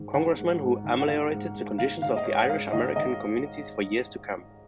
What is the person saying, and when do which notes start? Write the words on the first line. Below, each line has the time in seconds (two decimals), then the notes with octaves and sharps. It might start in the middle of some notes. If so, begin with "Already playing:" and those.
Congressman who ameliorated the conditions of the Irish-American communities for years to come.
Already playing: G#2 D#3
0.14 D#3 F#5
0.37 G#2
0.60 G#2
0.84 D#3
1.00 F#5
1.07 D#3 F5
1.31 G#2
1.55 G#2
1.78 D#3 F5
2.02 D#3 F5
2.16 D#5
2.25 G#2 C#5
2.42 F#5
2.49 G#2 F5
2.73 D#3 D#5
2.96 D#3 D#5